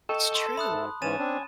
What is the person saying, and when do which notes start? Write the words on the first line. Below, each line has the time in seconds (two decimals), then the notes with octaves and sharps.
That's true.
0.09 A4 D#5 G5 C#6
0.32 A5 C6
0.57 E5 A5 B5 D#6 F#6
0.70 G#2
1.02 G#2 E3 C#4 G#5 A6 D#7 E7
1.19 C4 D4